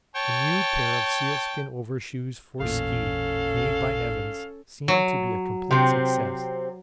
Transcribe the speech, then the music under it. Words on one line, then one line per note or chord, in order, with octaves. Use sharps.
A new pair of sealskin overshoes for ski made by Evans seem to be a complete success.
C#5 G5 A5
A1 E2 A#2 C#4 A4 F5
F#3
C3 C4